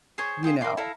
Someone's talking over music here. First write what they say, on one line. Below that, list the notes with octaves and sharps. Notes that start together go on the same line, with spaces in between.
you know
G#4 C5 C#5
F4 G#4 C5 G5
A#4 B5 C6 D6
E4 A4 F5 A#5